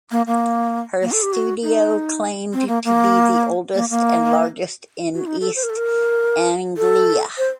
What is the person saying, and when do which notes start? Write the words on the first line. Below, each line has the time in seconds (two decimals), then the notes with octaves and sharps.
Her studio claimed to be the oldest and largest in East Anglia.
0.11 A#3
0.27 A#3
1.02 A#3
1.12 A4
1.22 G4
1.33 F#4
1.63 D#4
2.53 C4
2.68 A#3
2.84 A#3
3.74 A#3
3.90 A#3
5.14 F#4
5.26 D#4
5.41 A4
5.56 C5
5.63 A#4
5.70 A4
5.77 A#4
6.77 A4
7.38 C5